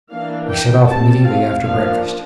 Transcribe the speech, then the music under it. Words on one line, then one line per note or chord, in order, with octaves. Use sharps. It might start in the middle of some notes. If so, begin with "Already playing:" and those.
We set off immediately after breakfast.
E3 A#3 D4 F5
G5
G3 C4 A5
F5
F3 A#3 D4 F5